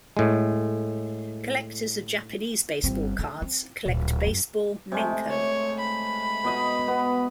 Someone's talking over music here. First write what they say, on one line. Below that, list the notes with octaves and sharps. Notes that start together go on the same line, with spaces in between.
Collectors of Japanese baseball cards collect baseball menko.
A2 G#3
G1 C4
A3
C4
D1 A#2
F#2
C3 G#3 A3
C#5
B5
B2 D#5
B3